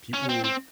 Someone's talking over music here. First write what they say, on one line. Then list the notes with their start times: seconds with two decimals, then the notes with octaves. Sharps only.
people t
0.14 C#4
0.29 C4
0.44 C4